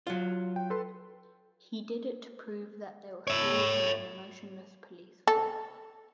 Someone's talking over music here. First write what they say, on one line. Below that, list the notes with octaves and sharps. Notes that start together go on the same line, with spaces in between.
He did it to prove that there were flaws in an emotionless police force.
F#3 F4
G5
A4 B4 C6
C#5 E5
A4